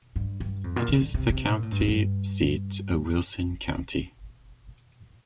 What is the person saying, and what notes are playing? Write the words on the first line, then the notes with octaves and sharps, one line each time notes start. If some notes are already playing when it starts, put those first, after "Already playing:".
It is the county seat of Wilson County.
G2
G2
F2
A#2
D3
D3
C3
C3
A#2
A2
G2
F2
G2